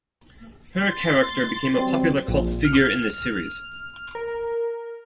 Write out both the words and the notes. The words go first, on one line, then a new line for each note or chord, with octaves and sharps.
Her character became a popular cult figure in the series.
C6 A6
F#3 G3 C4
A#1
F6
A#4